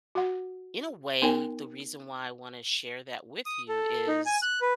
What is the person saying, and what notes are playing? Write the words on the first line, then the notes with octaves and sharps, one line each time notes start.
in a way the reason why I wanna share that with you is
F#4 F#5
B3 D#4 A#4 G5 G#5
D#6
A4
D#4
G#5
F#6
B4